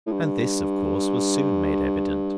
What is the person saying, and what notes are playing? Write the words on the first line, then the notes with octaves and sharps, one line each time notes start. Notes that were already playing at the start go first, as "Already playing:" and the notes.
And this, of course, was soon made evident.
A2
G2